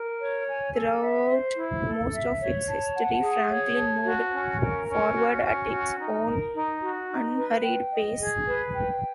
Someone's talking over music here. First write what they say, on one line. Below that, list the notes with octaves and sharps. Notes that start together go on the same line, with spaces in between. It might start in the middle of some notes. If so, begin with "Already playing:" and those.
Throughout most of its history, Franklin moved forward at its own unhurried pace.
Already playing: A#4
C#5
G#5
A4
E5
C5
E4
A4
E5
C#5
A5
F#5
G#4
C#5
A5
F#4
C#4
A#4
C#4
F#4
C#4
F#4
D#4
A#4
D#4
F#4
D#4
B4
G5
D#5
G#4
B4
G5